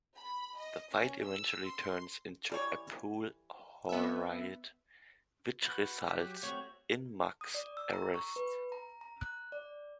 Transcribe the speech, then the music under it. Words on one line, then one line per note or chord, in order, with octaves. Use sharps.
The fight eventually turns into a pool hall riot, which results in Muggs's arrest.
B5
D#5
C#4
E6
C6
E3 G3 C#5
B3 E5
F#4 B4 F#6 G6
G4 D6
F#3
A3 C4 F#4 C#5 F#6
D#6
D5
E6
A#5
C#6
B4
A#5
A#5
F#6
D5